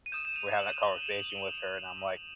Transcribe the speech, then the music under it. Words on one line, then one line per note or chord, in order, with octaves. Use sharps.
we had that conversation with her and I'm like,
D#7
D#6 G6 E7
E7
F7
F7
F#7
F#7
G7
E7
F7
F#7
G7